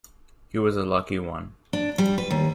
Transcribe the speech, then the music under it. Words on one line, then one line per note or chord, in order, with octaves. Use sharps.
He was a lucky one.
D4
G3
B4
D#2